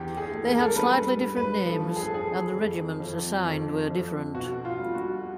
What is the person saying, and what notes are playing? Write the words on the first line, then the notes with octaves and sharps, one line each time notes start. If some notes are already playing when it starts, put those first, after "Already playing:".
They had slightly different names and the regiments assigned were different.
Already playing: E2 G4
G#4
A3
A#4
A4
A#4
G3 B4
G3
B4
F3 A4
G#4
A4
F3 G#4
F2
F2
F2
F2
B2 F#4
F4
G3
F#4